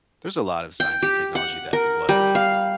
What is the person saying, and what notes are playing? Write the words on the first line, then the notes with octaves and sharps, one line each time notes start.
There's a lot of science and technology that was,
G5
G4
F#5
A#4
G3
F5